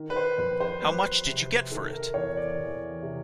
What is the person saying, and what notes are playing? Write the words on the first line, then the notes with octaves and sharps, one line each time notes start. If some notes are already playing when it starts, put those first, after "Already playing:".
How much did you get for it?
Already playing: D#3
B4
C5
F2 B4
C5
F#3 B4
C3
D#3 A4
A#4
E2 C#5
D5
E2
C3